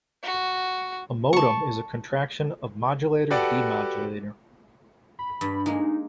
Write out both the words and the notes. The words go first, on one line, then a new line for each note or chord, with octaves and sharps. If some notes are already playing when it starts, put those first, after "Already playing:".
A modem is a contraction of "modulator-demodulator".
F#4
A5 C#6
F#4 G4 A4 B4 D5 F#5
B5
G2
G#3 A#3 D#4